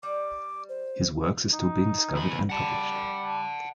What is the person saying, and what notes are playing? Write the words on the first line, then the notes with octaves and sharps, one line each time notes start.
His works are still being discovered and published.
G3 D6
C5
D#4
E2 B5
G3 F#5 A5